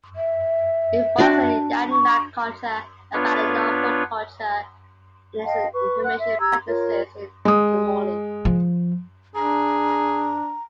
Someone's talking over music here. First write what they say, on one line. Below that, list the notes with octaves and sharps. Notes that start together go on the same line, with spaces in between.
It follows the Yamna culture and Balanovo culture in its inhumation practices in tumuli.
E5
D4 F#4 D5
C#6
B3 D4 F4 B4 C#5
D#5 F5 G5 A5
B4 C#6
F#5 F#6
E5
G4 A#5 E6 G#6
F4 A#4 C#5
G#3 D#6
F3
D4 G#4 A#5